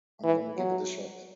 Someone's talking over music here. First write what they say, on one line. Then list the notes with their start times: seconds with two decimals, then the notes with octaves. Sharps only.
I'm gonna give it a shot.
0.24 E3
0.57 F#3